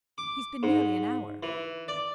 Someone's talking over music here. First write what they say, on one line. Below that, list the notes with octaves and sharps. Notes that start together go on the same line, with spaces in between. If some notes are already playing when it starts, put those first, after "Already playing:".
He's been nearly an hour.
D6
G#2
E3
D5